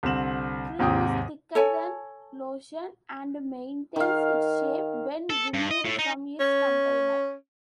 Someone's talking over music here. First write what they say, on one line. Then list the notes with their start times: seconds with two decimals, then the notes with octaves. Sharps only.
Cream is thicker than lotion, and maintains its shape when removed from its container.
0.03 C2 D3 C4 E7 F#7
0.79 D#2 G#2 C3 G5 D#6
1.55 A4 C#5 G#5
3.96 D#3 F5
5.30 A4
5.54 G2
5.71 D#5
5.85 A2
5.99 D#4
6.40 C#4